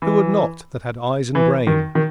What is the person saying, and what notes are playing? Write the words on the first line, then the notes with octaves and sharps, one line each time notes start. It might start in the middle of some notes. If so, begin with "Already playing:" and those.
Who would not that had eyes and brain?
E3
E3
D#3
D#3